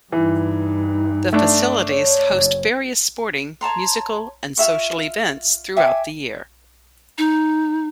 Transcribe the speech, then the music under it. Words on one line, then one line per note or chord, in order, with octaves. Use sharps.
The facilities host various sporting, musical and social events throughout the year.
G2 E3 D#4
A3 D4
C#5
F#1
C#5 A5 A#5 C6
F4 G#4 E5 C#6
E5 G5 G#5 D6
D#4